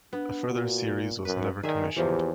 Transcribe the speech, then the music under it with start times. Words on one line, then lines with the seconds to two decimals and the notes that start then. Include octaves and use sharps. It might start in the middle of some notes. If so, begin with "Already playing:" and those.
A further series was never commissioned.
0.13 B3 D4
0.48 A#2 F#4
1.25 F#2 A#4 B4
1.63 D#3 G#4 D5 E5
1.96 E2 E3 F3 A#3 G4